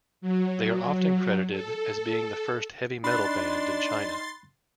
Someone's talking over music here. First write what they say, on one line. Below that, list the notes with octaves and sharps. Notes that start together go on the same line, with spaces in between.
They are often credited as being the first heavy metal band in China.
F#3
A4
D4 D#4 B5 C6 F#6 A6